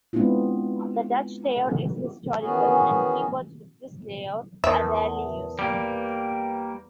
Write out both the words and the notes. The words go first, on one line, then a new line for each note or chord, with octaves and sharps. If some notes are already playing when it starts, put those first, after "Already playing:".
The Dutch layout is historical, and keyboards with this layout are rarely used.
G#3 B3 C4 D4 E4 F4
D#3 E3 B3 C#4 F#4 G#4
E2 A#4 E5 A5 D#6
G3 A#3 D6